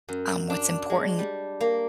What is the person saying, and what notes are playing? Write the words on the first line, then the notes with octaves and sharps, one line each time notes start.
um, what's important
F#2
D4
G#3
G3
A#3